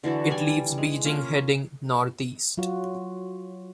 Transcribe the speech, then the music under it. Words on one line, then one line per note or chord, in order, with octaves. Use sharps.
It leaves Beijing heading north-east.
D3 E3 F#4 A4
G3 D5 G#5
G#3
A#3 C#4 F4
F#3 F4 F#4